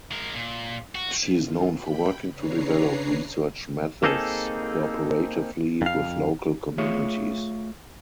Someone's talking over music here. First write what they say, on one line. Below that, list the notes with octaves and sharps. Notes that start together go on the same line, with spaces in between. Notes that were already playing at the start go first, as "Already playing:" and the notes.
She is known for working to develop research methods cooperatively with local communities.
G#3 A#4
A#2
F#4
D#3 F4
G5 B5
C#3 D4 B4 C#5 A#5 C7
A#3 C4 D#4 G#4 A4
F2 F5
A3 F4 G#4 C#5 E5 F5